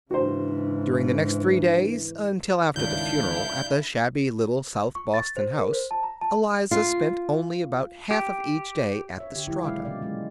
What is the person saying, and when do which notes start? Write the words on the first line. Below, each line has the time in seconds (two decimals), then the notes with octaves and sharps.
During the next three days, until after the funeral at the shabby little South Boston house, Eliza spent only about half of each day at the Strata.
0.11 G#2 C#3 E3 D4 F#4 C5
2.76 C#2 G2 D#3 D4 E4 F5 G6
4.95 C#6
5.14 A6
5.37 C5
5.59 A#4
5.73 C5
5.91 A5
6.03 A#5
6.21 A5
6.71 F4
8.11 G4
9.17 C#5 E5
9.32 D3 G4
9.47 D#3 E3 F#3 G3 E4 G4
9.63 B2 G#3 F5
9.85 A#2 C#3 G3 E4 D5
10.02 F#3 G#3